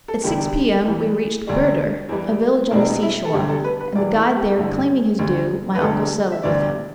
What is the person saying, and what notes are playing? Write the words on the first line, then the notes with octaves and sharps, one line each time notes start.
At six p.m. we reached Buedir, a village on the sea shore; and the guide there claiming his due, my uncle settled with him.
A4
E1 E2 D3 G3 G4
E2 E3 G3
E1 D2 D3 G3 D4
E2 E3 G3
E1 E2 B2 G3 D4
E4
A4
E1 D2 D3 G3 G4
A4
B4
B4
E1 E2 E3 D5
E4
G4
A1 G2 D3
D2 D3 G3
B4
E1 D2 D3 G3 A4
E5
E1 D2 D3 G3 D5